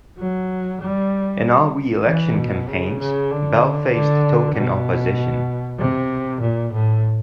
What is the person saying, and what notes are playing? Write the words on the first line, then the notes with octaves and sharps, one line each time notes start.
In all re-election campaigns, Bell faced token opposition.
F#3
G3
E3
B2
C#3
C#3
D3
D3
B2
C3
A#2
A2